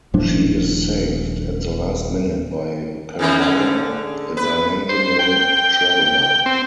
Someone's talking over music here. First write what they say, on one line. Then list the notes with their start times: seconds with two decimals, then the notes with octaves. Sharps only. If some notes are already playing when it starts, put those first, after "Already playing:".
She is saved at the last minute by Pariah, a dimensional traveler.
0.14 D#1 A2 F3 D4
3.19 A2 D#3 A#3 C#4
3.39 D3
3.99 G#4
4.37 B4
4.89 C5
5.19 G5
6.46 C4